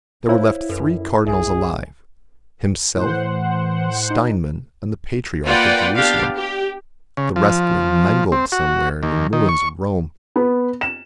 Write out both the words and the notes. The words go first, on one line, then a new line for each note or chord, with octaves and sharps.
There were left three Cardinals alive, Himself, Steinmann, and the Patriarch of Jerusalem; the rest lay mangled somewhere in the ruins of Rome.
E4 C5 C#5 F5
F#2 A4 B4
B1 G#4 E5 G#5
A2 E3 C5 F#5
D#4
A#3 F4 B4 D5 F#5 G5
B3 D4 G4 F5
G4
C#3
F3
C4
F#4
D#2
D#3
C#6
B3
E7